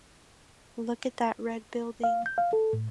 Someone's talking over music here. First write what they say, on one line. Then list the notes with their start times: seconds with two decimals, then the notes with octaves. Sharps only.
Look at that red building.
2.04 F5
2.26 G6
2.38 F5
2.53 A4
2.73 A2